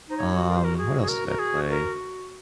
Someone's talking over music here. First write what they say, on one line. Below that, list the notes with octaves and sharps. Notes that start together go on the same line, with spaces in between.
um, what else did I play?
D#4 C5
C#5
F#4
F4 A#4
F#4 C5
A#4
G#4
G#4
A#4
A#4
G#4
A#4